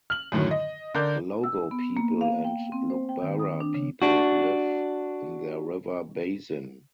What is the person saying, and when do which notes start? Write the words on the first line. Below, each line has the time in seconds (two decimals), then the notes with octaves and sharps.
The Logo people and Lugbara people live in the river basin.
0.10 F6 F#7
0.32 F#2 A2 D3 D#3 F#3
0.51 D#5
0.94 D3 A#4 D5 G6
1.44 E6
1.71 B3
1.97 A#3
2.21 F5
2.44 G5
2.72 C4
2.90 C5
3.09 G5
3.22 D#3
3.39 D#6
3.61 D4
3.74 C#3
4.02 D4 F#4